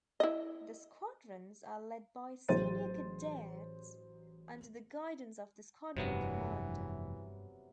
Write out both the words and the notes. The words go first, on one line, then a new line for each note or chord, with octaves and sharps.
The squadrons are led by senior cadets under the guidance of the squadron commander.
E4 D#5
A1 F#3 G#4 C5 A6 D#7
F1 G2 C3 E3 F#3 B3